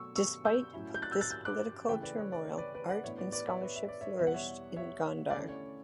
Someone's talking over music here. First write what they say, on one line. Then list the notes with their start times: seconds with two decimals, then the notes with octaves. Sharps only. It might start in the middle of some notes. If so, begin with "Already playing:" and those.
Despite this political turmoil, art and scholarship flourished in Gondar.
Already playing: B2 F#3 A3 C#6 E6
0.16 C#6 E6
0.45 E6 G6
0.73 A2 F#3 C#4 E4
0.94 G6
1.02 F#6 A6
1.11 E6 G6
1.21 F#6 A6
1.30 E6 G6
1.45 D6 F#6
1.88 C#3 E3 A3 E4 E5 G5
2.03 B4 D5
2.17 C#5
2.32 D5
2.45 C#5
2.58 B4 D5
2.74 B4 D5
2.89 D5 F#5
3.04 A2 E3 B3 D4 C#5 E5
3.18 B4 D5
3.32 B4 D5
3.47 C#5 E5
3.61 B4 D5
3.76 E5
3.88 D5
4.01 C#5 E5
4.19 E2 B2 G3 E5
4.27 F#5
4.34 C#5 E5
4.76 C#5 E5
5.30 D5
5.34 D3 A3 C#4 E4 C#5
5.48 C#5